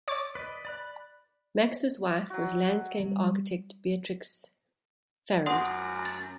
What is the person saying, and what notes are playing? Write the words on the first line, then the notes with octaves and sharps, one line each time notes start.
Max's wife was landscape architect Beatrix Farrand.
C#5 D6 A6
B4 D5 D#5
D5 B5 F#6
F#3 F#4
G3
F#2 F#5 C6 D#6
A6